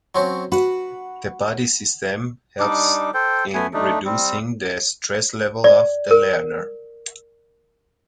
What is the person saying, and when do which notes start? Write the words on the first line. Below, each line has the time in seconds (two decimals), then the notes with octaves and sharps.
The buddy system helps in reducing the stress level of the learner.
0.15 F#3 C4 C#4
0.52 F#4 B4
2.59 G3 D4 D#4 D6
3.14 A4 C5 G5
3.54 A3 B3 G#5
3.74 A3 D4 D#4
4.05 G3 C4
5.64 D5
6.11 A#4